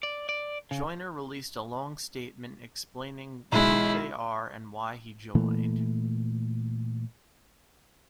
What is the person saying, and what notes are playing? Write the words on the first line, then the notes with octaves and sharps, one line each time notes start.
Joyner released a long statement explaining who they are and why he joined.
D5
D5
C#3
B1 G#3 E4
A#2 E3 A3